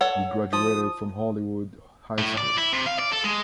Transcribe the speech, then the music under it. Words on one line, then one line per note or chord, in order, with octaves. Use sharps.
He graduated from Hollywood High School.
A4 C#5 F#5
F3 D#6
A2
D5
E4
C3
F5
D5
A4
G#3